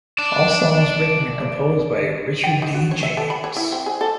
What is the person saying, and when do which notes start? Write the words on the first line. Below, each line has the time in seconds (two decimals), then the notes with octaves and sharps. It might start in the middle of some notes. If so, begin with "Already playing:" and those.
All songs written and composed by Richard D. James.
0.18 D5 A5
2.44 G5
2.62 D#4
2.74 F#4
2.91 C#5
3.03 E5
3.17 A4
3.30 B5
3.44 C#5
3.56 E4
3.72 C4
3.86 G#4
4.01 A4